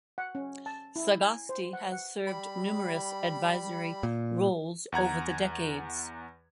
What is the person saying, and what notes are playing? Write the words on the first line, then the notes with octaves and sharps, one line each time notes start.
Sagasti has served numerous advisory roles over the decades.
F#5
C#4
A5
E4
G#5
C5
F#5
F#5
G3 B5
A#2
E2 F#5 A#5 G#6